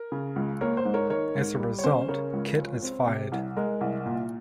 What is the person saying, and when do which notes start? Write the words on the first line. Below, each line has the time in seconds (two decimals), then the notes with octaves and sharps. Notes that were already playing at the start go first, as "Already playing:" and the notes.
As a result, Kit is fired.
Already playing: A#4
0.12 C#3
0.36 C#2
0.61 A#3 A#4 C#5
0.77 C5
0.85 G#2
0.94 A#4 C#5
1.10 D#3 A#4 C#5
1.35 G#2
1.60 G3
1.79 C#5
1.84 C#4 C5
2.08 C#3 A#4 C#5
2.33 C#2
2.58 F3
2.82 C4
3.07 C3
3.32 C2
3.57 G#3 A#4
3.81 C2
4.06 A#2